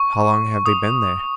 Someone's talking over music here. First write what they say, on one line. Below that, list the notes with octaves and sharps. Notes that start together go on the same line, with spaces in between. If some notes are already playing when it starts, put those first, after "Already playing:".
"How long have they been there?"
Already playing: C#6
D#6